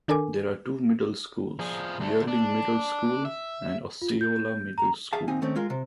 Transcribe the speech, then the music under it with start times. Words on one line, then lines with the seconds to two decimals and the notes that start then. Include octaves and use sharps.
There are two middle schools: Yearling Middle School, and Osceola Middle School.
0.08 D#3 D4 A4 A#4 G#5 D6
1.59 F3 G#4
2.00 D2 A3
2.28 D4
3.25 E5
4.02 F4
4.21 G6
4.78 A#5
5.13 G#4 E5 F5 A5
5.28 D#2 C4 D#4 G#5
5.42 D#3 A3 C4 C#4
5.56 G#3 F4 A#4
5.70 C3